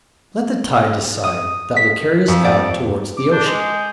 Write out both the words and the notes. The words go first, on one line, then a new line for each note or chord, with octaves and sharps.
"Let the tide decide; that will carry us out toward the ocean."
D#6
B6
F2
D5
D6
D4 G6
G#3